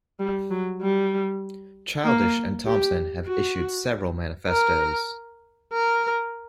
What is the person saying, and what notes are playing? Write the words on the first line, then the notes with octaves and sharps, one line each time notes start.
Childish and Thomson have issued several manifestos.
G3
F#3
G3
A#3
G4
F#4
A#4
A#4